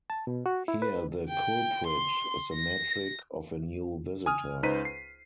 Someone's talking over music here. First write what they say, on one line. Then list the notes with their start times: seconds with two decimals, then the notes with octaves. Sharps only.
Here the culprit is the metric of a new visitor.
0.10 A5
0.27 B2
0.46 F#4
0.68 E4
0.82 B4
1.28 G5
1.86 C6
2.54 A#6
4.26 G#5 D#6 F6
4.63 C#2 D#4 B4 C5 B6 D#7
4.85 C7